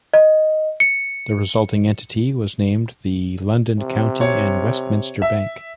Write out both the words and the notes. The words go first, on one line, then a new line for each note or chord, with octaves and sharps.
The resulting entity was named the London County and Westminster Bank.
D#5
C#7
C3
C#5
E5